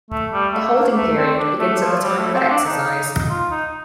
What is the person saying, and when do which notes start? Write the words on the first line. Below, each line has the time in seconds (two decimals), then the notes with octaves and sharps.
The holding period begins at the time of exercise.
0.11 A3
0.32 G3
0.53 A3
0.75 A#3
0.96 A3
1.17 C4
1.38 D4
1.60 A3
1.81 F3
2.02 G3
2.18 A3
2.34 C4
2.50 D4
2.66 D#4
3.30 F4
3.51 D#4